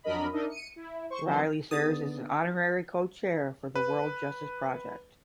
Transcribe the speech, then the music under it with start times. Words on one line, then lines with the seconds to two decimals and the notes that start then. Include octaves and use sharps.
Riley serves as an Honorary Co-Chair for the World Justice Project.
0.04 F2 F#3 D4 A#4 D#5 B5
0.33 D4 D#4 A#4 D#5 E5
0.50 C#7 D#7
0.76 E4
1.10 C5 C#6
1.25 D#3 E3 F#3 C4 D#4 C5
1.71 D3 B3 D#4 G#4 D#6 A6
3.76 B4